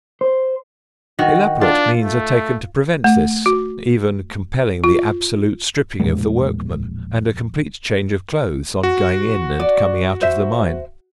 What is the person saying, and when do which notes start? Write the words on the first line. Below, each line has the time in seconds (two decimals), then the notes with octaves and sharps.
Elaborate means are taken to prevent this, even compelling the absolute stripping of the workman, and a complete change of clothes on going in and coming out of the mine.
0.21 C5
1.19 D#3 F#4 F#5
1.61 D4 F4
2.02 A3
3.04 A3
3.46 F#4
4.84 F4
6.00 A#1 E2 A2 G#3
8.83 F#4
9.60 D5
10.21 C5 E5